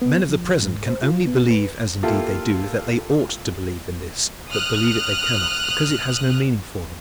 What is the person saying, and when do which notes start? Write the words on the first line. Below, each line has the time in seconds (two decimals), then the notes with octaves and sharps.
Men of the present can only believe, as indeed they do, that they ought to believe in this; but believe it they cannot, because it has no meaning for them.
0.02 B3
0.29 F3
0.63 G#2
0.88 C5
1.03 F4
1.27 B3
1.51 B4
2.03 A#3 E4 F4 G4 A4
4.51 D#6 F6 F#6